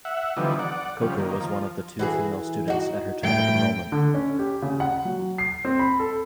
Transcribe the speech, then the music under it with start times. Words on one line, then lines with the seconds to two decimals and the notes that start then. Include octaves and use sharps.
Coker was one of the two female students at her time of enrollment.
0.05 E5 F#5
0.37 D3 E3 F3 G3 B3 D#4
0.59 D5 F#5
1.02 C#3 F3 G3
1.20 D#3 A#3
1.41 F3
1.99 E3 F#4 G#4
2.68 D#4 F#4
3.22 A2 G5
3.92 D3
4.14 C#4
4.39 G4
4.62 C#3
4.80 F#5
5.05 F#3
5.38 C7
5.65 C4
5.79 B5
6.00 A4